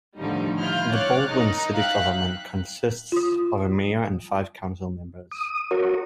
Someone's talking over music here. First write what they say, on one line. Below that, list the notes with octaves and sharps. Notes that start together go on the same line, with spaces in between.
The Baldwin City government consists of a mayor and five council members.
A2 D3 D#3 F3 G3 D#4
E4 F4 F6 G6
C#5 D6 F6 F#6 A6
D#4 A#4
E5 F5 G5 F#6 B6
F4 D#6
D#6
F#4 A#4 C#5